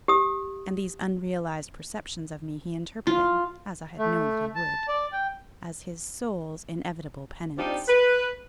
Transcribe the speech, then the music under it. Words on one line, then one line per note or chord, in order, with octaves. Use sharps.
And these unrealized perceptions of me he interpreted, as I had known that he would, as his soul's inevitable penance.
G4 D#6
F4
A3
A5
D5
G5
G3 C4 D4 D#4 F4 G4
B4